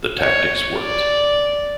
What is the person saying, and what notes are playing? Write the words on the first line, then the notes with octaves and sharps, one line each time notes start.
The tactics worked.
C#5
D5